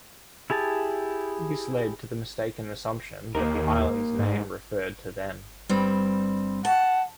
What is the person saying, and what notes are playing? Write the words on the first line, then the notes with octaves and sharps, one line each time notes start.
This led to the mistaken assumption that the island's name referred to them.
E4 G4 G#4 A5
D#2 A#3 D#4 A#4
G#2
G2 G3 C4
F#5 A5